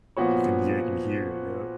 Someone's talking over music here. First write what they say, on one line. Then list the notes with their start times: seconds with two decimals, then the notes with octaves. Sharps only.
you can yeah, I can hear it, yup.
0.17 A#2 F3 B3 F#4 C#5